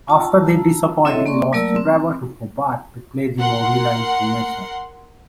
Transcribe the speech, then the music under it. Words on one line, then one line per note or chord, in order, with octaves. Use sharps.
After the disappointing loss, she travelled to Hobart to play the Moorilla International.
F4 A5 A#5 E6
C4 E4 A4 C#5 D#5 E5
A#3 D5 C6 C#6
F#3 A3 A#3 A#4 D5 E6
C4
A#4 F#5 C6